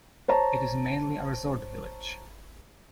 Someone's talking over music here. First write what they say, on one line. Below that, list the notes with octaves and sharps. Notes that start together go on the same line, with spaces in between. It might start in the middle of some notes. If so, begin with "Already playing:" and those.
It is mainly a resort village.
C5 C#5 A5 A#5